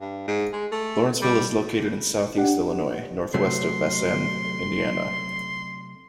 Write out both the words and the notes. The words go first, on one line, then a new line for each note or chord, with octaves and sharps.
Lawrenceville is located in southeast Illinois, northwest of Vincennes, Indiana.
G2
G#2
G#3
A3
G3
D4 G4 F#5
C3 F#3 A3 C6